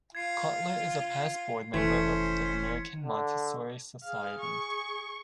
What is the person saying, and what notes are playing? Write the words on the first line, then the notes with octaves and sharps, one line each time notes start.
Cotler is a past board member of the American Montessori Society.
F4 G#6 C7
F1 E3 A3 C#4 C5 G#6 B6 C#7
D3
G#4 F5
C#6